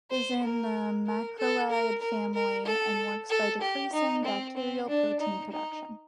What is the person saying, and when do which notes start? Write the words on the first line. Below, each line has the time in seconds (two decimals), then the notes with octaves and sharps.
It is in the macrolide family and works by decreasing bacterial protein production.
0.11 C5
0.43 A#4
1.06 A#4
1.38 A4
1.70 A#4
2.02 A#4
2.34 A#4
2.66 A4
3.29 A4
3.62 G4
3.93 D#4
4.25 C4
4.57 C4
4.88 D4
5.20 D#4
5.52 D#4